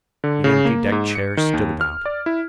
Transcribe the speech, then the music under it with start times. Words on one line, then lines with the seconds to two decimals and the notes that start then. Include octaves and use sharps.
The empty deck chairs stood about.
0.24 D3
0.44 C#3
0.65 A#3
0.92 G#2
1.15 C#7
1.37 D#3
1.53 D#2
1.81 F6
2.06 D5
2.26 E4